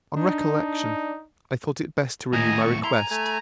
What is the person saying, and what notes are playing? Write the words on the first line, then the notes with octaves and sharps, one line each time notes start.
On recollection, I thought it best to renew my request.
D4 D#4
D#2 A2 D#5 G#5 A#5
C#6
E4 A#5 C6
G#5
A3 G#5